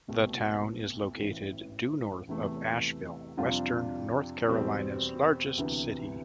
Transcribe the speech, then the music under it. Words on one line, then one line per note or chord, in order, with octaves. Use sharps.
The town is located due north of Asheville, western North Carolina's largest city.
C2 B2 A3
A1 A2 E3
E2 C3 E3 A3
F2 C3 G3 D4 F4
E2 B2 G3 C4
D2 C3 E3 B3